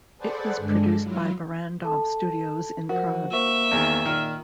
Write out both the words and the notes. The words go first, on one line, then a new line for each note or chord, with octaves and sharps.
It was produced by Barrandov Studios in Prague.
G#4 A4 B4 C5 D5 F#5
G2 D3 G#3 D4
F#3 E4 F4
A4 A5
F3 F#4 A#4
A#3 A#4 C5 E5 C#6
E2 D#3
A#2 D#3 F6